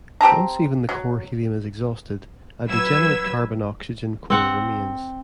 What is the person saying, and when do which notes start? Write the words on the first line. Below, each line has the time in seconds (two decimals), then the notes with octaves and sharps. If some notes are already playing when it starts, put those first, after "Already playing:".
Once even the core helium is exhausted, a degenerate carbon-oxygen core remains.
0.21 C4 G4 A5 A#5
0.89 F#3
2.67 F#3 B4 E6 G#6
4.30 C4 F#5